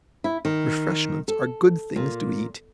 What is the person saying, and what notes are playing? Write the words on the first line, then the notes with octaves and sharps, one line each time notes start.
"Refreshments are good things to eat!"
E4
D#3
A4
A#2